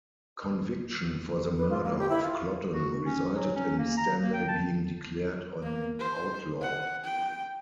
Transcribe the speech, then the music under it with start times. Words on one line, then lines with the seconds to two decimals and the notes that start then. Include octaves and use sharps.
Conviction for the murder of Clotton resulted in Stanley being declared an outlaw.
1.56 B4
1.70 F4
1.83 A#3
1.98 G4
2.09 E4
2.23 F4
2.73 F#4
3.06 C#4
3.35 F#3
3.56 C#4
3.78 A#3
3.97 A#5
4.22 A#3
4.34 G5
4.48 A5
5.63 A#3
5.99 C5
6.61 F#5
7.04 G5